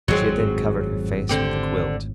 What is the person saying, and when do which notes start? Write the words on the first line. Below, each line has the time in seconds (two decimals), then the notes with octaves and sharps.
She had then covered her face with the quilt.
0.08 G#1 F2 A2 F#3 G#3 C4
1.29 D3 C4 G4